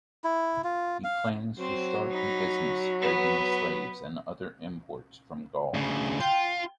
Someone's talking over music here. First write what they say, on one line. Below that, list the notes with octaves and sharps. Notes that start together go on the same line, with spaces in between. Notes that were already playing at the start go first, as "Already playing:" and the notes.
He plans to start a business trading slaves and other imports from Gaul.
E4
F4
F5
F#3 C4 C5
D#4 B5
B3 B4
D2 C#3
F4 G5